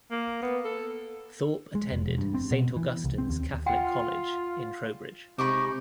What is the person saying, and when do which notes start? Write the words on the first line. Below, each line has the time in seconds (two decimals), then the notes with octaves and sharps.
Thorp attended Saint Augustine's Catholic College in Trowbridge.
0.11 A#3
0.42 B3
0.64 A4
1.75 G#3
1.92 F1
2.06 E1
2.18 G2
2.34 C4
2.51 B2
2.77 E3
3.04 C2
3.18 C4
3.30 D#2
3.66 F4 F#5 G5
5.39 C3 G#3 D#4 B5 C#6 D6